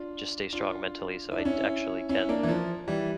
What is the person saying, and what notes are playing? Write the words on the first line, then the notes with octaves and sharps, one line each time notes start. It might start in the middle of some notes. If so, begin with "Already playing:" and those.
just stay strong mentally, so I d actually can
Already playing: D4 F4
D4 F4
E4
D4
C#4 E4
C#4 E4
A#3 D4
E3
F3
E3 G3